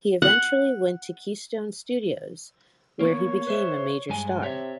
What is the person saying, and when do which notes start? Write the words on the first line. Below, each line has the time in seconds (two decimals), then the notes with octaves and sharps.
He eventually went to Keystone Studios, where he became a major star.
0.22 F#5
3.01 A#3 B3 C#5
3.47 B4 C5 E5
4.10 G2 G#3 G#5
4.43 C3 C#5 E5